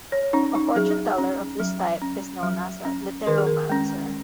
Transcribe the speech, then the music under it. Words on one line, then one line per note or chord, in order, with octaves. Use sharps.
A fortune-teller of this type is known as a literomancer.
C#5
C#4 D#4
D#4
F#3 G#4
C#4
F#3
C#4
F#3
C#4
D#3 A#4
G#4
A#4
G#3 C#4